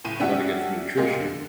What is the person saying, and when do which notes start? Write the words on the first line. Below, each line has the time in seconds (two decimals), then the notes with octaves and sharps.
you wanna get the nutrition;
0.04 F#1 A2 D#7
0.20 C#4 D4 G4 E5 F#5
0.97 A#2 G#3 A#3 G4 G#4
1.20 D3